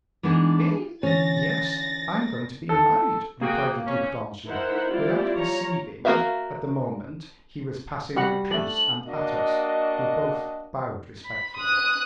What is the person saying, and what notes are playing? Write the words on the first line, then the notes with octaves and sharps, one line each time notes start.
"Eh! yes, I am going to be married," replied the Duc d'Anjou, without perceiving, at the moment, he was passing the prince and Athos, who both bowed respectfully.
E3 G#3 B3 D4 D#4
D3 E3 C#4 A6 A#6
A4
A#3 F#4 G#4 G5
C#4
D#3 E4 A#4 C5 F#5 B5
G3 C4 E4 F4 G4 D5
F4 C#5 A#5
A#3 F4 F#4 E5 F5
G3 F#4 F#5
A3 D4 F#7
A#3 D4 F#4 D#5
B5
D#6 F#6